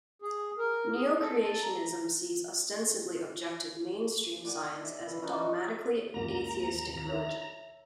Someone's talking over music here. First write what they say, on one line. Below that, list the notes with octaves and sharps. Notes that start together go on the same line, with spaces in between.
Neo-creationism sees ostensibly objective mainstream science as a dogmatically atheistic religion.
G#4
A#4
G#4
A4
A5
A#5
D5 F#5 G#5
E5
E3
C#4 D#4 F#4 D5
C#2 F#2 A#3 A#5
D#2
D#1 F2
C#5 E5